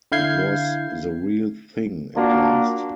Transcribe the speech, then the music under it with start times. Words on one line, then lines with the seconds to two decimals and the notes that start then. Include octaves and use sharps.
It was the real thing at last.
0.12 D3 E4 F5 G6 G#6 C7
2.15 A#3 D4 F4 F#4